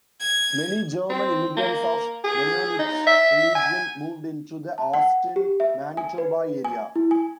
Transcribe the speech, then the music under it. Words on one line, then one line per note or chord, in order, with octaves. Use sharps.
Many German immigrants of Mennonite religion moved into the Austin Manitoba area.
G#6
C4
A#3
G#4
D#4
E5
G#5
A5
F#5
G4
E5
G#5
B4
G#5
E4
G#5